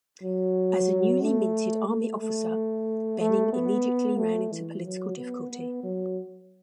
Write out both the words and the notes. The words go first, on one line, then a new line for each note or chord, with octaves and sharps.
As a newly minted army officer, Benning immediately ran into political difficulty.
F#3
A3
A3
A3
A3
B3
A3
E3
F#3
B3
B3
F#3